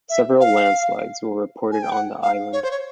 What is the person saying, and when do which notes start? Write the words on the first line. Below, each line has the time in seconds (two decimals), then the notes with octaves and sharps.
Several landslides were reported on the island.
0.09 E5
0.40 F5
1.71 G#5
1.82 G5
1.92 F#5
2.22 F5
2.52 C#5
2.62 C5
2.71 C#5